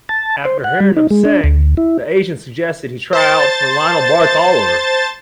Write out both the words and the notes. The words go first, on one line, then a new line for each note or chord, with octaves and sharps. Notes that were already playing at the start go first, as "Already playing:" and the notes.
After hearing him sing, the agent suggested he try out for Lionel Bart's Oliver!
A5
C5
F#5
G3
D#4
G#3
D4
D2
E4
C5 A5 A6